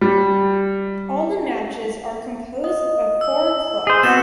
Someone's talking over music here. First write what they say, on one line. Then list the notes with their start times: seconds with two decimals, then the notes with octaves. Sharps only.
All the matches are composed of four clubs.
0.01 G3
2.64 D#5
3.21 E6
3.87 G#4 C5
4.03 B3 C4 F#4 E7